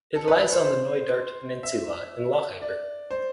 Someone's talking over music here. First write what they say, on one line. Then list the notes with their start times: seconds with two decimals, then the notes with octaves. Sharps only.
It lies on the Knoydart peninsula in Lochaber.
0.16 A4
0.28 B4
0.39 B4
0.52 C5
0.64 C5
1.63 E5
2.62 D5
3.11 C5